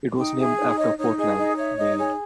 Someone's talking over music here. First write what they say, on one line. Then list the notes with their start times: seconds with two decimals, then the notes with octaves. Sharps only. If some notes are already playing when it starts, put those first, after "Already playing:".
It was named after Portland, Maine.
0.17 D#4 G5
0.38 G#4 E5
0.58 D#4
0.77 C#5 D#5
0.98 D#4 C#5
1.17 G#4 D#5
1.37 D#4 D#5
1.57 C#5 E5
1.77 D#4 D#5
1.97 G#4 C#5